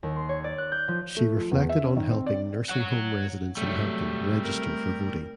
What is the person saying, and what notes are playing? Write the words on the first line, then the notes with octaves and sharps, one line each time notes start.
She reflected on helping nursing home residents in Hampton register for voting.
D#2
C6
C#5
D5
F#6
G6
F3
A3
F3
E2
E5
C#4
D#3
C4
D5
C#5 F#5
C3 F#3 G3 A3
C4 A#4